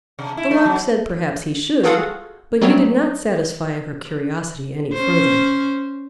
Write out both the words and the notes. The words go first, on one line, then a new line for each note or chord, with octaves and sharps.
The Lark said, "Perhaps he should;" but he did not satisfy her curiosity any further.
C3
E4
A3
F#3
F4 F#4 G#4 A4 F5 F#5
F#3 G3 A3 B3 C4 C#5
C#4 C5